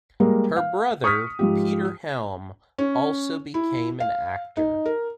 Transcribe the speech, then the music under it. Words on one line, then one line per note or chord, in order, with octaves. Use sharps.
Her brother, Peter Helm, also became an actor.
G3 G#3 A#3 A#4
F5
C#6 D#6 F6 B6
G#2 F3 G4
C#4
E4
F5
D#4
A#4